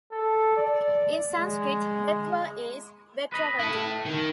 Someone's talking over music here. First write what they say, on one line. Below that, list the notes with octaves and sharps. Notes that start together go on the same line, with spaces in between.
In Sanskrit "Betwa" is "Vetravati".
A4
D5
G#3
B4 D#5 B5
E4 A4
D#3